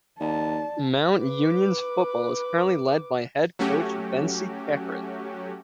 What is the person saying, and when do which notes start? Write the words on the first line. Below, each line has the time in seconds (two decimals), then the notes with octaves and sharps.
Mount Union's football is currently led by head coach Vince Kehres.
0.20 D#2 D5 A5
1.18 B4 D6
3.59 F#3 A3 C#4 F#4 G4